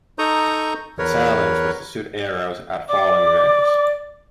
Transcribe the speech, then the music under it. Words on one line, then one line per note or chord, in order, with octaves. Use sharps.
The challenge was to shoot arrows at falling rings.
D#4 A4 A#5 C#6 D#6 G6
E2 A#4 B4 C#5
D5 D6